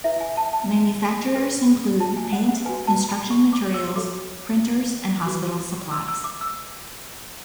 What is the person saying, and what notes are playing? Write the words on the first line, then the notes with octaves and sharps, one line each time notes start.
Manufacturers include paint, construction materials, printers, and hospital supplies.
E4 B4 E5
G#5
A5
A5
C#4 G#4 B4
A5
G#5
F#5
F#5
F#4 B4 G#5
A5
B5
C#6
D6
E6
F#4 A4 C#5 D6
F#4 B4
E6
E6
D6
E6